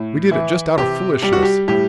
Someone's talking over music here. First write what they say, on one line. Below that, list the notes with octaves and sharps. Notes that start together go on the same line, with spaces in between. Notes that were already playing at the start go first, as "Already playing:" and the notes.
We did it just out of foolishness.
Already playing: A2
E3 E4
C3 G4
G3 G4
F#4
G4
A2 G4